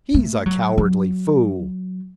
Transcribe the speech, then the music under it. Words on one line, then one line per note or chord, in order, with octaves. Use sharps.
"He's a cowardly fool!"
A3
F#3
F#3